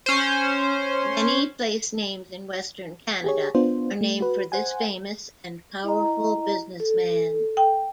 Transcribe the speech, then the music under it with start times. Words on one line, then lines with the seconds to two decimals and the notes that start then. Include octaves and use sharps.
Many placenames in Western Canada are named for this famous and powerful businessman.
0.06 C#4 C5
3.24 G4 G#4 C#5
3.55 B3 D4 F4 C5
4.01 A3
4.20 F#4 B4
4.52 C5 F#5 G#5
5.84 E4 D#5 A#5
6.80 A4
7.57 G5